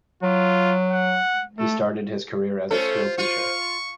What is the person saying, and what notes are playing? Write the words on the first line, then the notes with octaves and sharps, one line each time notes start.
He started his career as a schoolteacher.
F#3 F4
F#5
A3 A4
A3 C#4 F4 A4 C5
F4 C#6